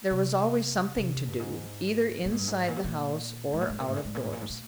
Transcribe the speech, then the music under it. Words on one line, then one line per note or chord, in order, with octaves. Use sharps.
There was always something to do, either inside the house or out-of-doors.
C3
C3
G2
G#2
A#2
G#2
G2
G#2
A#2
C3
A#2
G#2
A#2
G#2
A#2
G#2
A#2
G#2
A#2
G#2
A#2
G#2
A#2